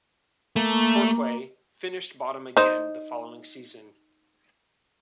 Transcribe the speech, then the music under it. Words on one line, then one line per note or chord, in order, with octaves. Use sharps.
Torquay finished bottom again the following season.
A3 A#3
D#4 C5